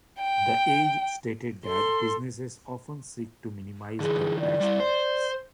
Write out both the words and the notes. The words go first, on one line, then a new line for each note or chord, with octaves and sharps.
The Edge stated that businesses often seek to minimise their tax burdens.
G5
A4 C6
D3 E3 G#4
D5
G3 E4
C5